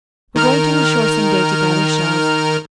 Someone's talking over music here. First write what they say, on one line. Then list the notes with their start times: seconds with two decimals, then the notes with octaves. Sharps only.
We're going to the shore some day to gather shells.
0.36 D#3 A#4 F6